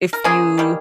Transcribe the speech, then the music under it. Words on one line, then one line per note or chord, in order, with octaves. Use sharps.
if you
A#4
C#3 F3 A#3 G#4
D#3 G3 A#3